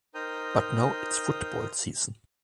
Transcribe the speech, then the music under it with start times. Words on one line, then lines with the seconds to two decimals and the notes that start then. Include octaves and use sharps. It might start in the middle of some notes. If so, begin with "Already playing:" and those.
But now it's football season.
0.14 D#4 A#4 C5 G5 A#5 D#6